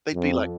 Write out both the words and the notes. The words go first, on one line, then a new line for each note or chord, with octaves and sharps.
They'd be like
F2